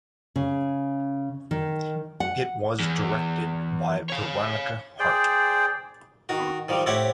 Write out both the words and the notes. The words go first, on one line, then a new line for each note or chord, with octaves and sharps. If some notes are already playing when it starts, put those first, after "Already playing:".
It was directed by Veronica Hart.
C#3
D#3
F#5
E2
C#5 F5
G#4 C5 D5 G5
D#3 F#4
D#3 F3 G3
A2 C4 E4 G4 C#5 F#5